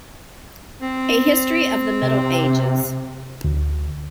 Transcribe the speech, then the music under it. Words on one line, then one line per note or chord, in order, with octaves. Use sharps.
A history of the Middle Ages.
C4
C3
D2